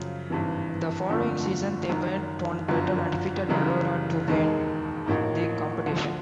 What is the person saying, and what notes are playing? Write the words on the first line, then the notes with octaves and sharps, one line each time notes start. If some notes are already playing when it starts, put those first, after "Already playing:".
The following season, they went one better and defeated Baroda to win the competition.
Already playing: F#2 C#3 F3
G#1 G2 E3
G1 F2 D3 F3 A3
F#1 F#2 D#3
G1 F#2 D3 F3
F#1 F#2 C#3 E3 G3
E1 D#2 D#3 G#3
A1 A2 F3 A#3 D#4
D2 D3 F3